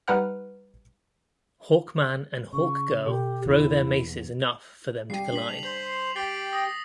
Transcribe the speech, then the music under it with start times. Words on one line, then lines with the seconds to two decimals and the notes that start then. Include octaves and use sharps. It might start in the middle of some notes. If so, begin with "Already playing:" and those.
Hawkman and Hawkgirl throw their maces enough for them to collide.
0.08 G3 D#4 B4 F#5 F6
2.53 C#3 C#6
3.06 B2 G4
3.46 E2 D#3 E4
5.10 G3 G4 C7 D#7
5.32 D4 B6 F#7
5.48 F7
5.64 C5 C6
6.16 G4 G5 A6 C7 G7
6.53 D#6 A#6 C7